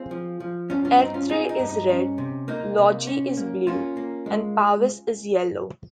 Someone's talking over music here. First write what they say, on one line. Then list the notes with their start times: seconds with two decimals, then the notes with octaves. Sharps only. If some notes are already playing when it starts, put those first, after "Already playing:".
Airthrey is Red, Logie is Blue and Powis is Yellow.
Already playing: C4 F4 G#4
0.11 F3
0.40 F3
0.70 G2 C#4 F4
0.85 C#4 F4
0.99 C4 D#4
1.14 C#4 F4
1.29 C4 F4 G#4
1.49 D#4
1.59 G2
1.69 D#4
1.89 C#4
2.18 C3
2.48 A#3 D#4
2.78 C3
3.07 C#4
3.37 A#3
3.67 A#3 C#4 F4
3.97 A#3
4.26 G#3